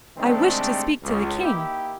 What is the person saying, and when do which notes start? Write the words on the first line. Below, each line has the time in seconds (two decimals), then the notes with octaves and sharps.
I wish to speak to the King.'
0.16 C3 D#3 G#3 A3 C4 D4
1.01 C#2
1.40 A#3 D#4 E4 G4